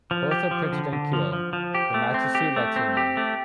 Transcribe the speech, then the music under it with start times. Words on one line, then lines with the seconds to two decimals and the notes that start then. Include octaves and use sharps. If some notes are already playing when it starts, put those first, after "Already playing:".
Both are printed in Keil, "Grammatici Latini".
0.11 F3
0.31 G4
0.51 F3
0.72 D3
0.93 D3
1.13 F3
1.33 F3
1.53 F3
1.75 G4
1.94 A3
2.14 C4
2.35 G4
2.56 A3
2.76 C4
2.97 G4
3.17 A3